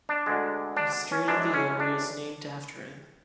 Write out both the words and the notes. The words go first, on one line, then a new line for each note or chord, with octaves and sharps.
A street in the area is named after him.
D4
D2 D3 G#3
D4
C#4
F#2 E3 G#3 D4
C#4
D4